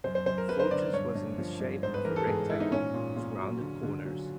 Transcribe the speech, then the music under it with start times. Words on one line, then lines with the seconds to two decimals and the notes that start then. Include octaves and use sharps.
The fortress was in the shape of a rectangle with rounded corners.
0.04 F#2 C5
0.15 C5
0.26 F#2 C5
0.38 A#4
0.49 F#2 B4
0.59 C5
0.71 D3 D5
0.93 G2 C#5
1.15 G2
1.38 F3
1.60 G2
1.83 G#2 C5
1.94 B4
2.05 E3 A#4
2.16 A4
2.27 G#2 G#4
2.50 G#2 E4
2.60 D#4
2.71 A#2 C#4
2.94 A#2
3.16 A#2
3.39 F#3
3.60 D3
3.83 D3
4.05 F#3